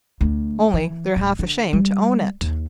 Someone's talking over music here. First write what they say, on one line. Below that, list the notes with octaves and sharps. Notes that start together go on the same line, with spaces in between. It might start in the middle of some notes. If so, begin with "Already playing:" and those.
Only they're half ashamed to own it.
D2
E3
D1
D3
G3
D#2